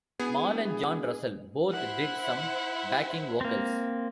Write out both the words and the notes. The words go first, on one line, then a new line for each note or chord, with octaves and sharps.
Mal and John Russell both did some backing vocals.
E1 B3 G#4
E4 C5 E5 F#5
A#3 C4